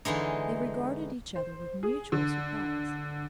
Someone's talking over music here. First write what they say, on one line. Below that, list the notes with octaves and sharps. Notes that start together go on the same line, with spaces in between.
They regarded each other with mutual surprise.
D3 E3 G#3 D#4
C5
G#4
D3